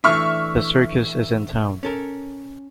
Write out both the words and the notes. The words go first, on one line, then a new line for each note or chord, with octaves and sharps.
The circus is in town!.
E3 A3 D4 E5 C#6 F6
C#4 A4 A#4